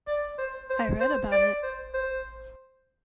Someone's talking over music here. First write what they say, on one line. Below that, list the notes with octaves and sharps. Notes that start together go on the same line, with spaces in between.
I read about it.
D5
C5
C5
C5
D5
C5
C5